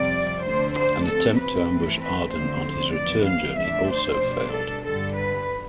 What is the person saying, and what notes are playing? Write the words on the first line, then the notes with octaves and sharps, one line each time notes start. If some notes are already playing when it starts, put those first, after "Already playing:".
An attempt to ambush Arden on his return journey also failed.
Already playing: F2 C3 G3 C4 D5
D2 D3 A3 D4 C5
C5
C3 F3 C4 A4
B4
G2 E3 A3 C4
B4
D2 D3 F3 C4 C5
F2 E3 B3 D5
F5
F2 D3 F3 A3 D4 E5
C5
B2 G3 D4
A4
G2 D3 G3 A4
B4